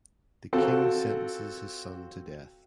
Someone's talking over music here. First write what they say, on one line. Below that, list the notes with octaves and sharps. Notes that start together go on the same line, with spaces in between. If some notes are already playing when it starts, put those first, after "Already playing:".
The king sentences his son to death.
C4 F4 F#4 A4